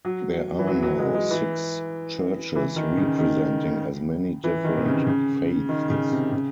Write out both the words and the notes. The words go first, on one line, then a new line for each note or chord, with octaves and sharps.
There are now six churches, representing as many different faiths.
F#3
E3
F#3
F#3
G#3
G#3
E3
E3
D#3
C#3
D#3
E3
D#3
C3
C#3
C#3
D#3
C#3
C3
C#3